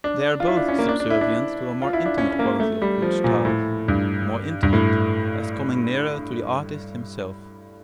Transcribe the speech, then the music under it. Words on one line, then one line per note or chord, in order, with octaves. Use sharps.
They are both subservient to a more intimate quality of good style: more intimate, as coming nearer to the artist himself.
D4
F4
E4
D4
C#4
A#3
D4
D4
E4
D4
F4
E4
D4
C#4
C#4
A#3
A3
G3
F3
A#2
A2
G2
G2
A2